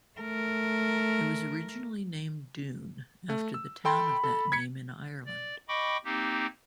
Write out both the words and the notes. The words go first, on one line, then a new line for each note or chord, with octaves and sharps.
It was originally named Doon after the town of that name in Ireland.
A3 A#4
A3
E6
A4 G5 B5 C6
A4
G#6 B6 C#7
D5
D#5 G5 B5 C#6 D6
A#3 C4 D#4 G4